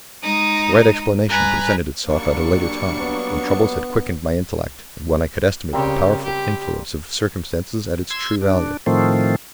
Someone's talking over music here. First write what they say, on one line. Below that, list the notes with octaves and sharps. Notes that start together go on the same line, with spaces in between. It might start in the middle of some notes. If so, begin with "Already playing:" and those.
The right explanation presented itself at a later time, when troubles had quickened my intellect, and when I could estimate the powerful influence of circumstances at its true value.
G#3 D#4 D#6
G2 B4 G#5 A#5
F#3 G3 A#3 D4 C#6 C#7
B3
C#3 G3 A#3 C4 G4
G4
C6 E6 G#6
D4
A2 D#3 F3 A3 C4